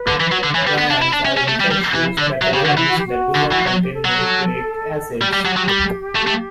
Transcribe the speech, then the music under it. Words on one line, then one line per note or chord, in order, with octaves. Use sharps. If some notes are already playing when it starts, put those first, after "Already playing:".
Prions are infectious pathogens that do not contain nucleic acids.
Already playing: B4
D3
E3
F#3
D3
E3 C#5
G3 B4
B3
D4
E4
D4
C#4
C#4
A3
G3
G3
E3 E4
E4
D3 D5
E5
F#3 E5
C#3 G4
D3 F#4
E3 E4
F#4
G4
F#4
D3
E3
F#3
G4
A4
F#3 B4
A4
G3 G4
G3
F#3
F#3
G3
A3
A3